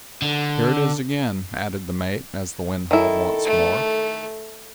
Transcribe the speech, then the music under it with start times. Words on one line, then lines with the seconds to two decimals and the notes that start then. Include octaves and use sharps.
"Here it is again," added the mate, as the wind hauled once more.
0.22 D3
2.91 D#3 E4 A4
3.45 A3